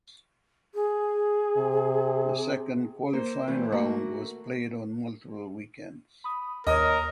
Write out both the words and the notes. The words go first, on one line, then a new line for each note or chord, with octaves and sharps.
The second qualifying round was played on multiple weekends.
G#4
C3
A#3 C5
E3 G3 A3 C4
A3 A#3 F#4
B5 D#6
D#2 A#4 C#5 D#5 D#6